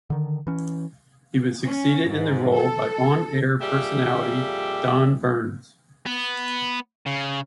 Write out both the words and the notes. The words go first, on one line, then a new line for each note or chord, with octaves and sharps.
He was succeeded in the role by on-air personality Don Berns.
D3 D#3
E3 C#4
C#4
G#2
A4
F2 A#2 G3 G4 G#4 E5
B3
C#3